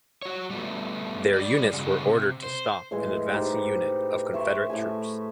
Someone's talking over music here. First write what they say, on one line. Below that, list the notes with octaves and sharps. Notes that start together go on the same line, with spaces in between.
Their units were ordered to stop an advancing unit of Confederate troops.
F#4 C#5
G3 A3 B3
G3 G#4 D5
G2 C#3 G#3 F#4
C3
C5
A2 E3 G#3 G#5
D#4 G4 B4 C5
E5 C6 C#6
A2 A3 G#5